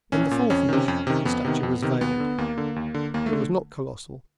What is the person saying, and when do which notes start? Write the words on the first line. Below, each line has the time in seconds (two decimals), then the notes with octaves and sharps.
In the fourth niche the statue was veiled; it was not colossal.
0.12 A#1 C#4
0.31 A#2
0.50 F2 C#4
0.69 C3 D#3
0.88 F2
1.07 C3 D#3
1.25 F2 B3
1.45 C3 D#3
1.63 F2
1.82 C3 D#3
2.01 D#2 B3
2.20 D3
2.38 D#2 A#3
2.58 D3
2.76 D#2
2.95 D3
3.14 D#2 A#3
3.26 A3
3.33 D3